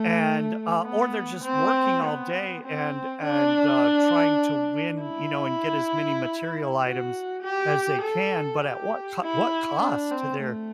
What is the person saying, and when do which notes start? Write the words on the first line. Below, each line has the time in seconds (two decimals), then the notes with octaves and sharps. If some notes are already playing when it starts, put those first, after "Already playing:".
and, uh, or they're, just, working all day and and, uh, trying to win, you know, and get as many material items as they can, but, at what c what cost to their
Already playing: A3
0.84 B3
1.43 C4
2.04 B3
2.64 C4
3.23 D4
5.02 E4
6.82 F#4
7.42 G4
8.02 A4
8.61 G4
9.22 E4
9.81 D4
10.11 C4
10.42 A3